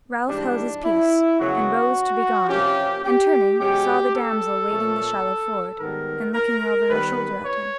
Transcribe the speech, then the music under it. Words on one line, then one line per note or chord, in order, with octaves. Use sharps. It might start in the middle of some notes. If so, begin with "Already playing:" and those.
Ralph held his peace, and rose to be gone and turning saw the damsel wading the shallow ford, and looking over her shoulder at him.
G#2 E3 G3 D4
E4
F#2 C#3 F#3 B3 F#4
C3 F3 A#3 C#4 G4
G4
B2 G#3 C#4 G4
A4
A#2 F3 A3 C#4
G#2 D#3 G3 B3 A#4
A#4
D#3 G3 B3 B4
C#5